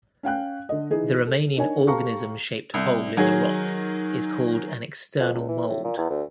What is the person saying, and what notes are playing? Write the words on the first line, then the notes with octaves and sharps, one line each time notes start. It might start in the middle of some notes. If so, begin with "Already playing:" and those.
The remaining organism-shaped hole in the rock is called an "external mold".
C#4 F5 G5 F#6
D3 D#5
E3 D#4 G#4
A4
D4 D#4 A#4 C#5 G#5
G4 A4 F5 A5 A#5 C#6
C2
D#3 F#3 G#4
F2
C#2
E3
A2
A#2
E2
D2